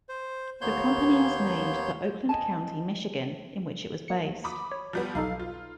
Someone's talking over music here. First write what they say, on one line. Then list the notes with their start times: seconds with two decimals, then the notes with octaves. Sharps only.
The company was named for Oakland County, Michigan, in which it was based.
0.09 C5
0.61 D#2 A#3 B3 C#5 C6 G6
2.29 D#5 G#5 A5
4.08 A#3 C#7
4.44 B5 D6 D#6
4.72 C#5
4.93 F3 G3 B3
5.15 B1 D#4 A4 F5
5.40 F4